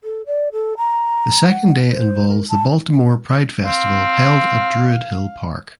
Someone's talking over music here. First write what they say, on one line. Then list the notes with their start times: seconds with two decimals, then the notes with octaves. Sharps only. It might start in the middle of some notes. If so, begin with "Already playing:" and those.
The second day involves the Baltimore Pride Festival held at Druid Hill Park.
0.03 A4
0.26 D5
0.52 A4
0.77 A#5
1.49 F#5
1.89 C5
2.28 A#4
2.49 A5
3.65 C4 F5